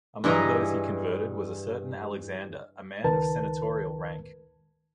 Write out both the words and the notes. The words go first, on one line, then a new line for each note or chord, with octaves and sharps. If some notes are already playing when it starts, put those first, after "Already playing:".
Among those he converted was a certain Alexander, a man of senatorial rank.
G2 E3 E4 G#4 D#5 A#5
C#2 D#3 A#4 B4 A5